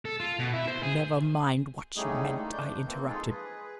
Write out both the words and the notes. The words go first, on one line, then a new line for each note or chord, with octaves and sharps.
"Never mind what you meant!" I interrupted.
A4
F4
B2
E4
C5
G#4
A2 C#3 G3 A3 D#4 G#4
D#3 G#3 A#3 D#4
G2 A3 D4 G6
E3 F3 A#3 C4
G#3 A3 D#4 F4 G#4 A4
G#4 B4